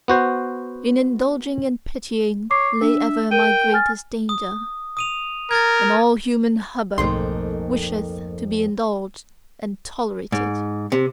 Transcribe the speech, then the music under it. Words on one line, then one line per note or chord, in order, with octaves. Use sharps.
In indulging and pitying lay ever my greatest danger; and all human hubbub wisheth to be indulged and tolerated.
B3 F#4 C5
C#5 D6 C7
D4 E5
A#4 G5 D#7
G#5 F6 A6
D#6
D#6 D#7 F7
A#4 G#6 A6
B1 F2 G#2 A3 A#3 D#4 C6
G#2
C3